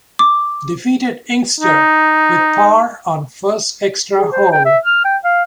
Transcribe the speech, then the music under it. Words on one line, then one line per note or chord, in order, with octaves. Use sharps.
Defeated Inkster with par on first extra hole.
D6
D#4
G#4
C5
G5
E5
F6
G5
F5